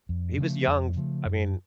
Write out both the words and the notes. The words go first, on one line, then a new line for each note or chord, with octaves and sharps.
He was young, I mea
F2
C#3 F3 A3
F2
C#3 F3 A3
F#2